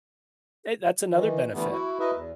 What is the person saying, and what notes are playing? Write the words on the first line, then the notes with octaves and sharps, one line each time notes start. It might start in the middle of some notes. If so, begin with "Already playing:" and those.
Hey, that's another benefit.
D#3 E3
D3 E3 G3 A3 B3
E4 F#4
E4 F#4 A#4 B4 D#5 E5
E2